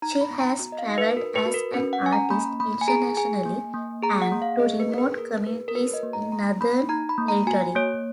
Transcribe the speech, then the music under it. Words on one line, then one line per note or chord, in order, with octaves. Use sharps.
She has travelled as an artist internationally and to remote communities in Northern Territory.
D#4 A#5
B5
B3
A#5
F#4
D#5
F5
D#4
B4
F#4 A#4
B4
F#4
A#4
C#4 B4
F#5
C#4 G#5
A#5
A#3 B5
A#3 B5
G#5
G#4 A#5
G#4 G#5
A#3
A#3
G#4 A#5
F#5
A#3
F5
G#4 D#5
B4
A#3 A#4
B4
G#4 A#4
A#3 B4
A#4
F#4 B4
C#5
D#5
A#3
A#5
A#3 A#5
A#3 B5
D#4 A#5
B5
A#3
A#5
F#4 G#5
A#3 C#5